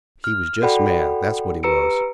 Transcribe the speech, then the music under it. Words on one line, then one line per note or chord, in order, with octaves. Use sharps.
He was jest mad, that's what he was.
F6
F#4 A4 D5 F#5 G5 B5
G4 B4 A#5 E6 C#7 D7